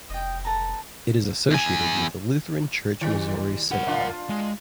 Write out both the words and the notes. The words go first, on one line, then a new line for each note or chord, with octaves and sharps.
It is associated with the Lutheran Church Missouri Synod.
F1 D#5 G5
A4 B4 A#5
E2 G#5
D#3 G3
A#4 F#5
D4 F4
G#3